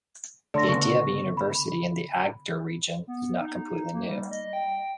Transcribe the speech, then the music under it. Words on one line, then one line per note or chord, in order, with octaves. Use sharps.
The idea of a university in the Agder region is not completely new.
D3 A3 A4 D5 C6 A#6
C#3 B3 C#6
B5
B3
D#4
A#3
G3
D#5
G5